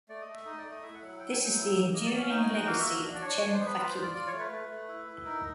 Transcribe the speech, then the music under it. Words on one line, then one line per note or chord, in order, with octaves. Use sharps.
This is the enduring legacy of Chen Fake.
A3 D5
D#5
A3
E5
D#4 D#5
D5
A3
D#5
E4 E5
F#5
F#3
F#5
F#3 G5
G#5
F#3
G5
E4 G5
A#3
A#3 D#5
D5
C#4
F5
D#4 G5
G#5
F#4
G5
A#3 F5
E5
F#4
D4
D5
D4 C#5
D4
C5
B3
B4
F4 B4
C5
F4
D5
F4 D5
C#5
A3
B4
A3
A3
E4
E4
D#4 A#4